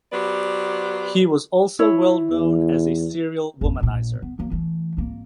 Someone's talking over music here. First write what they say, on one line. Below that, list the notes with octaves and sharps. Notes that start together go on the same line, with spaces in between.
He was also well known as a serial womanizer.
F#3 B3 G4 C5 D5
E4 C#5
E2
G1 E2
A#1 A#2
B3
F#3 A#3
E3 A3
G#1 A#3